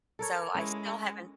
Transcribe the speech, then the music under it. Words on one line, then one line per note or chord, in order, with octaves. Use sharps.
so, I still haven't
A4 A#4 C#5
G#3 C#4 E4